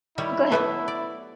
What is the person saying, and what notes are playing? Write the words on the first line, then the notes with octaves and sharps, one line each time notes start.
Oh, go ahead.
D#3 G3 E4 C#5
F#3 A3 B3 G4 B4 E5
D5